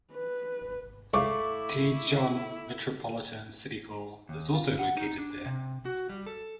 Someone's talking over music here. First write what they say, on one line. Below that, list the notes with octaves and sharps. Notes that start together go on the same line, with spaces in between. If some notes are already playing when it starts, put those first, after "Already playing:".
Daejeon Metropolitan City Hall is also located there.
B4
C#2 A3 E4 F5 C#6 D6
D#2
F4
F#5
D#4
D4
C3
F#4
G3
A4